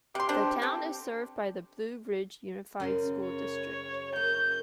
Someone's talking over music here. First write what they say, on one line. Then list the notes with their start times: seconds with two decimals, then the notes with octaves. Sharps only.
The town is served by the Blue Ridge Unified School District.
0.15 C3 G4 C6
0.29 C4 D4 C5
0.62 C4 A4
2.80 F#2 C#3 C6
3.28 C#5
4.16 A#3 G6